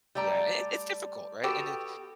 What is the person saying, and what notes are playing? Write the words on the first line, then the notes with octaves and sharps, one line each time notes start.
Yeah, and it it's difficult, right? And it
G3 A3 D5 A#5
B3 F#4 G4 A4